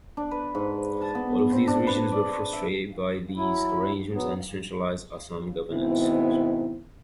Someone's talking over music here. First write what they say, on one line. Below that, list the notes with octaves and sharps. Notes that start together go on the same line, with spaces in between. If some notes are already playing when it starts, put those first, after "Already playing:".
All of these regions were frustrated by these arrangements and centralized Assam governance.
D4
B4
G#2
A5
B3
C4
D4
B4
D5
E5
F#3 E4
F#3 B3
G#2 B2 D#3 B3 C4 E4